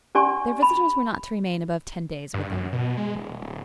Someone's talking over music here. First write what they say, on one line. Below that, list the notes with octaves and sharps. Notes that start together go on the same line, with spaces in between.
Their visitors were not to remain above ten days with them.
C#4 G4 D5 G#5 C6 C#6
B5
G2
F#2
B2
G#3
D#1
D1